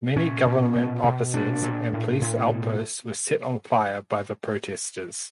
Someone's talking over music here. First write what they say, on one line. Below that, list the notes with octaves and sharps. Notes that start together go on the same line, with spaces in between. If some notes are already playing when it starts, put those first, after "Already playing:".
Many Government offices and police outposts were set fire by the protesters.
A#2 C#4
A#2
B2
B2
A#2 D4
A#2
A2
A2
B2